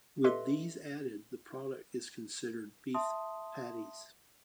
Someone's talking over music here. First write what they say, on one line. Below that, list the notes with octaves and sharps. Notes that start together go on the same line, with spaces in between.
With these added, the product is considered "beef patties".
G4 A4 B4 D#5 E5 C6
E5 A5 C6 D#6